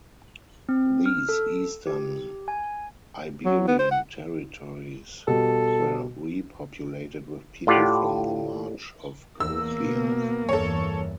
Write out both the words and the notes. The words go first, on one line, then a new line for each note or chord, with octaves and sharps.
These eastern Iberian territories were repopulated with people from the March of Gothia.
C4
F6
A4
G4
G#5
F#3
B3
C5
F#5
B2 G3 A4
A2 F4 G4 D5 F#5
E2 A#3 E6
B2 B3
E2 G2 E3 A4 C#5